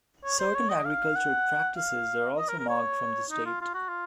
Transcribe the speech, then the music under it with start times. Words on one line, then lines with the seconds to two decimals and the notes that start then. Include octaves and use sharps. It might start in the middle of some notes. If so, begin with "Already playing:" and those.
Certain agricultural practices are also marked from this date.
0.24 C#5
0.39 C5
0.54 C#5
0.70 D#5
0.85 F5
1.16 F#5
1.77 F5
2.38 D#5
2.49 A#4
2.59 A#4
2.69 C#5
3.30 D#4
3.46 F4
3.61 F4
3.74 F#4
3.88 F4